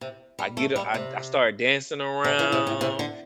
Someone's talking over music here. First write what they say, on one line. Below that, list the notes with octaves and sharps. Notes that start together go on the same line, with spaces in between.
I get u I I started dancing around,
C3
G3
A3
G3
C3
C3
E3
C3
A2
C3
D3